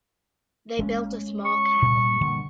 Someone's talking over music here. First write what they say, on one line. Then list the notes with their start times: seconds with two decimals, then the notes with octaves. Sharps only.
They built a small cabin.
0.79 G#3 A3 C#4
1.45 C#6
1.82 A#2 G3
2.21 D3 G3 A#3